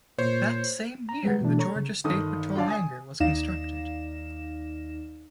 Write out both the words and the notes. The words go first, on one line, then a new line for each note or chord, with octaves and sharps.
That same year, the Georgia State Patrol Hangar was constructed.
A#2 C5 C#5
A#5
G3 G#3 G#4 B4 F#5
B2 E3 A3 D4
A4 C#5 A#5 C#6
C#3
G1 D#3 D#4 A4 D#6
D3 F4 C#5 D5 F5 A5
G#5 D#6
D#2 D#4 D5 F5 A#6 E7